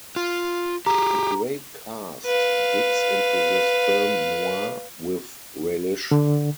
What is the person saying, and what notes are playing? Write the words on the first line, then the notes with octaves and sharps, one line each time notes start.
A great cast digs into this film noir with relish.
F4
G4 G#4 A#5
B4 F5
D3